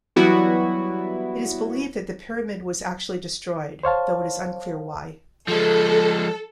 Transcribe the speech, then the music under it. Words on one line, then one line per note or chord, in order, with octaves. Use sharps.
It is believed that the pyramid was actually destroyed, though it is unclear why.
E3 F#3 G3 B3 E4 F#4
C5 C#5 F5 A5
F3 G#3 A4